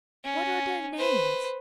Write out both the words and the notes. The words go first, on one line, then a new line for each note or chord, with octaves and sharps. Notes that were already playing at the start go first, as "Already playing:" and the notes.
"What are their names?"
C#4
B4 C5